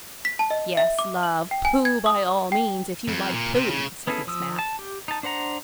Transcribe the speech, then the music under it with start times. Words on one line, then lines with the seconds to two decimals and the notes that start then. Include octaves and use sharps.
"Yes, love, pooh by all means, if you like poohing!" said Miss Mapp.
0.25 B6
0.39 A5
0.50 D#5
0.77 E5
0.99 D6
1.23 F#7
1.51 G5
1.65 G#5
1.85 G#6
2.06 D#6
2.52 G5
3.08 F2
3.34 A#2
3.55 C3
3.70 C#3
4.07 B3 C#4 E4 G#4 A4
4.27 F3 D#6 E6
4.59 A5
4.79 G4
5.08 D#4 A5
5.23 D4 C5 F#5 A#5